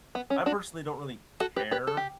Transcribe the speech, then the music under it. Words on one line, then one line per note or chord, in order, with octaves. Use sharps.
I personally don't really care
B3
C#4
D4 F#4
F#4 A4
G4 B4
G4 B4
A4
G4